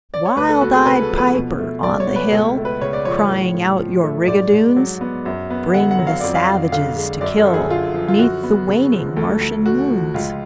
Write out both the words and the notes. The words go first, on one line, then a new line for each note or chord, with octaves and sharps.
"Wild-eyed Piper on the hill, Crying out your rigadoons, Bring the savages to kill 'Neath the waning Martian moons!"
D5
C#5
D2 B4
A4
B3 F#4
G#4
C#3 B4
A4
F3
B4
B2
A3
A3 D5
C#5
B2
B4
C#2 A4
A3
B4
C#3 C#5
D5
F3 C#5
C#5
A2
A2
F3
A3
G#2 D5
G#2
F#3
B3
F#2
B3
D3 F#5
F#5
F#3
F5
F2 D5
F5
F2
D3 F5
G#3
F#2 D5
A4
F#2
G#4
D3 F4
F3
F4
F#2 F#4
B3
C#3
F3
D2 A4
D2
D3 F#4
F3
C#2 F4